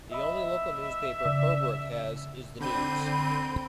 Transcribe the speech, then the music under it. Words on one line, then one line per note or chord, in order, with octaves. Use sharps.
The only local newspaper Purbrook has is "The News".
D#5 E5 B5
C#3 D5 E6
D3 C4 B5 G6 D#7